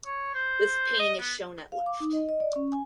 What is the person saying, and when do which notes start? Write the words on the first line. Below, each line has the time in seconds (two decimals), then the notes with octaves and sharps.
This painting is shown at left.
0.06 C#5
0.35 C5
0.99 D#5
1.20 B3
1.72 F5
1.86 D6
2.00 D#4
2.13 D#5
2.29 D#5
2.40 D5
2.56 C#4
2.72 G#5